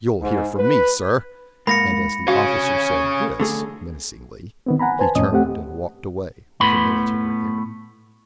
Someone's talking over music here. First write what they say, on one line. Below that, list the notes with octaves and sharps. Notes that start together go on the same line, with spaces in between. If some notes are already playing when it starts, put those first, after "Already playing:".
"You'll hear from me, sir." And as the officer said this, menacingly, he turned and walked away with a military air.
G#2
B4
G#2 A#3 B5 A#6 C#7
C#4 F#4 G#4 F5
D3 A3 G#4
D#3 B3 C4
F#5 G#5 A#5 B5
B4 C5 G#5 A5
F2 A2 C#4 D#5 D#6
A3 C4 G4 F#5
A2 B3 B5 C6